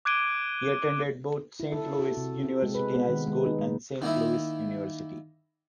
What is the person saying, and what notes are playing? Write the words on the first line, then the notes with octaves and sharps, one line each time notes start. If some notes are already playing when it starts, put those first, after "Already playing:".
He attended both Saint Louis University High School and Saint Louis University.
D6 F#6 G#6 D7 D#7 G7
E4
A4
F#4
C3
C4
G#3
B4
B3
D#3
G#3
D#4
G#3
D#3 A#3 D#4 E4